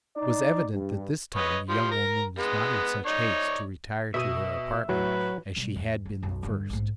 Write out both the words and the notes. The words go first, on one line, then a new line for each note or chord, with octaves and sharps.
It was evident that this time the young woman was not in such haste to retire to her apartment as she had been the first.
D#4 D5
G2
B4 C#5 D#5
F3 G3 C6
A#4 A#5
G#3 B3
D#4 C#5 D5
B2 E5 D#6 D#7
A2 F#3 B4
B2 G3
E2
F#3
B1 F#2
G2 D3
A#1 G#2